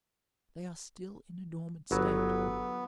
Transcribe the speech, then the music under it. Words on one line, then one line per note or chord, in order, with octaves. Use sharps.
They are still in a dormant state.
G1 F#3 B3